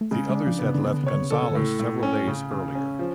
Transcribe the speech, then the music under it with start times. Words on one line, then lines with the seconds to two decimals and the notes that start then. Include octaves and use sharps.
The others had left Gonzales several days earlier.
0.01 A3
0.11 C#3 G#3
0.29 G#3
0.35 D4
0.47 F3
0.59 B3
0.65 C#3
0.75 D3
0.83 C#3 B3
0.94 D3
1.04 C#3 C#5
1.13 D3
1.23 C#3
1.31 D3 A4
1.42 C#3
1.51 A2 D3
1.61 C#3
1.79 A2
2.03 C#4
2.27 A2 C#3
2.51 C#3
2.75 C#4
2.99 F3